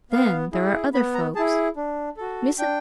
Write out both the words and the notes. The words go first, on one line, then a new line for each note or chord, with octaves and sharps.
Then there are other folks--Mrs.
B3 F5
E4 G#4
B3 B5
A#5
E4 G#4 A5
D4
F#4 A4
D4 G5